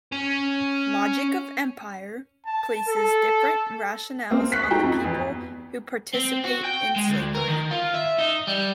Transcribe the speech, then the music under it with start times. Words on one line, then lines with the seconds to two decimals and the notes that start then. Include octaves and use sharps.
"Logic of Empire" places different rationales on the people who participate in slavery.
0.12 C#4
2.46 A5
2.88 A4
4.31 A#3 C4
4.52 C#6 F#6 B6
4.70 D#4 F#4 A4 G5 A#5
4.83 F2
5.04 E2
6.15 C4
6.45 F#4
6.65 G5
6.96 G#3
7.09 D2
7.35 A#4
7.48 D#3
7.71 F4
7.94 E5
8.19 D#4
8.47 G3